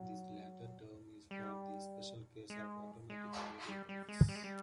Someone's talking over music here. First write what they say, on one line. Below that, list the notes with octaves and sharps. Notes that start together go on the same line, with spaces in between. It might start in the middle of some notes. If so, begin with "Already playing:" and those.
This latter term is for the special case of automatic variables.
Already playing: F#3
G3
G#3
G#3
G3
G3
G#3
G3
G#3
G3